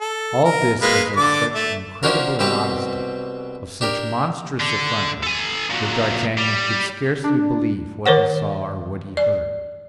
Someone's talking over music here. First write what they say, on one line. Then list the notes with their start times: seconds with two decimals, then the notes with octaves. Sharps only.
All this was of such incredible immodesty, of such monstrous effrontery, that d'Artagnan could scarcely believe what he saw or what he heard.
0.01 A4
0.44 A#4
0.82 G#3 A#3 B4
1.16 D3 D5 D6
1.55 A3
2.03 F3 C#4 D4 F4 F#4 A#4
2.39 C2 B2 C4 G4 B4
3.81 D4 G4 A#4
4.61 D3
5.23 A4 G#5
5.70 A#2 F#3
6.38 G3
7.24 D4
8.06 D#3 A#4 C5 C#5 F#5
9.17 D5